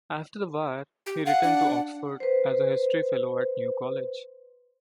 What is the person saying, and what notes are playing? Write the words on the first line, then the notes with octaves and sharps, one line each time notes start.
After the war he returned to Oxford as a history fellow at New College.
G4
F5 F#5
D4
B4 C5